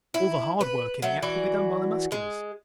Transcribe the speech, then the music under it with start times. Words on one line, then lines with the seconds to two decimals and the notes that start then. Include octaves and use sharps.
All the hard work in the act will be done by Musculars.
0.14 E4
0.61 B4
1.02 F#3 A3
1.22 E3 F#4 D5
2.12 G#3